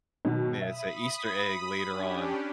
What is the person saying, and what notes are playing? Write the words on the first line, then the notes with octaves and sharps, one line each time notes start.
Yeah. It's a Easter egg later on.
B2 D#3 F#3
E5 B5 D#6
C#4 D4 G4